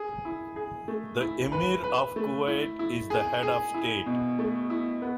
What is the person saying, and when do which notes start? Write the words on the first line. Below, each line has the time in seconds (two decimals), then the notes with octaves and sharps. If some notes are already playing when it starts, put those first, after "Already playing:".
The Emir of Kuwait is the head of state.
Already playing: G#4
0.25 E4
0.56 G#4
0.88 A3
1.20 E4
1.52 B4
1.84 B4
2.16 A3
2.47 E4
2.79 E4
3.10 G#4
3.43 G#4
3.74 E4
4.06 B2
4.39 A3
4.70 E4
5.02 B3